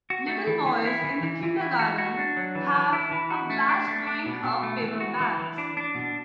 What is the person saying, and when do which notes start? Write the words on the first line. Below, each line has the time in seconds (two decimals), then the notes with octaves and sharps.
Little boys in the kindergarten have a blast blowing up paper bags.
0.10 F#4
0.28 A3
0.47 E3
0.66 E3
0.85 E4
1.04 E3
1.23 E3
1.43 E3
1.61 E4
1.79 F#4
1.98 F#4
2.18 D4
2.37 F#3
2.55 E3
2.75 E3
2.93 E4
3.11 E3
3.30 F#4
3.50 A3
3.69 D4
3.88 A3
4.07 D4
4.26 B2
4.44 B2
4.63 A3
4.82 E3
5.00 F#4
5.20 E3
5.39 E3
5.58 D4
5.77 D4
5.95 B2